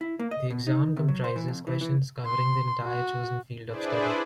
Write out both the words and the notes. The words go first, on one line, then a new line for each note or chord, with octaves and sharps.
The exam comprises questions covering the entire chosen field of study.
E4
A#3
D#5
B2
D#4
C3
F#3
C5
E3
F2
E3
E3
C6
F#4
D4 E4 G#4 B4 C5 D5